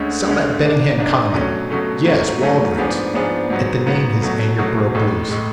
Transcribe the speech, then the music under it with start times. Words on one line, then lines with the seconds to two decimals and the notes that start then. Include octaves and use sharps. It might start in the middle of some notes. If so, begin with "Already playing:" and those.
Sell that Benningham Common--yes, Waldron's.' At the name his anger broke loose.
Already playing: D2 D3 G#3 C#4
0.26 D2 D3 G#3 C#4
0.61 G#2 G#3 D4
0.98 G#2 G#3 D4
1.34 B2 F#3 A3 C#4
1.70 B2 F#3 A3 C#4
2.06 G#2 F#3 A3 C#4
2.42 G#2 F#3 A3 C#4
2.78 G#2 F3 B3 D4 G#4
3.14 G#2 F3 B3 D4 G#4
3.50 G#2 F#3 B3
3.87 G#2 F#3 B3
4.22 B2 F#3 A3
4.58 B2 F#3 A3
4.94 A1 A2 G#3
5.30 A2 G#3